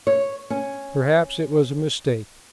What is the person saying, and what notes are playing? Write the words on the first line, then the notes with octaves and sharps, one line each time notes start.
Perhaps it was a mistake.
C#5
C#4